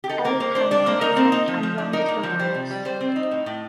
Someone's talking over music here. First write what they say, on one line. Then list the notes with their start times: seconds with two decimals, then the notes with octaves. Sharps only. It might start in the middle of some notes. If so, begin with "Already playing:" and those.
Alekano has only unrounded vowels.
0.04 G4
0.09 D#4 A4
0.25 A#3 A#4
0.40 A#3 C5
0.55 D4 C5
0.71 D4 D5
0.86 A#3 C5
1.01 D#4 A#4
1.17 C4
1.32 D#4
1.48 F3
1.63 F3
1.78 D4
1.93 D#4 A#4
2.08 A#3
2.23 F3
2.39 G3 C5
2.54 C3
2.71 G3
2.85 G3 C5
3.01 C4
3.16 D#4
3.31 A2
3.46 A2